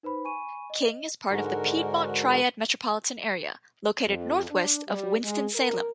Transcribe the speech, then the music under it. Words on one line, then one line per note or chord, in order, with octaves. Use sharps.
King is part of the Piedmont Triad metropolitan area, located northwest of Winston-Salem.
D#4 B4 C5 B5
G#5 B5 C#6 D#7
D#5
G#2 D3 G#3 F#4 A#4
F2
D4
G3
G#3
A#4